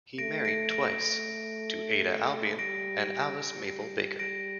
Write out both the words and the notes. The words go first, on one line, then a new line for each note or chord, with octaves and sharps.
He married twice, to Ada Albion and Alice Mabel Baker.
A3 A#6 D7
A#6 D7
A#6 D7
A3 A#6 D7
G3 A#6 D7
G3
A#6 D7